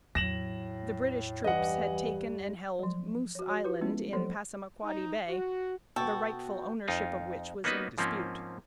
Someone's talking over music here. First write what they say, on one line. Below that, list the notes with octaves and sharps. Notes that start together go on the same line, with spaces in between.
The British troops had taken and held Moose Island in Passamaquoddy Bay, the rightful ownership of which was in dispute.
E2 A2 F#3 A#6 E7 F#7
G2 E3 D#5 F#5
F3 F#3
F#4 C#5
F#4 C#5
E4 F4 G4 B4
F3 G#3 A3 B3 C#4 E4
F3 F#3 A#3 A4 C5 C#5
D#4
F#4
B2 B3 F#4 A4 G5
F2 D#4 F4
A#3 B3 C#4 D#4 F#4 B4
G#2 F3 A#3 C4 C#4